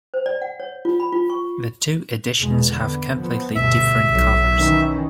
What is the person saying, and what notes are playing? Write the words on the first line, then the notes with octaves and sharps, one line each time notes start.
The two editions have completely different covers.
C5
D5
F#5
C#5
F4
B5
F4
C#6
E2 B2 G#3
D3 B3
F3 B3
D2 G2 B2 E5
B1 F#3
D#3 E3 C#4